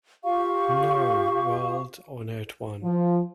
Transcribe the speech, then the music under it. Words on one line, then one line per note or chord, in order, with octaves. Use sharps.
No, World-Honored One.
F4 G4 F5 C#6
F3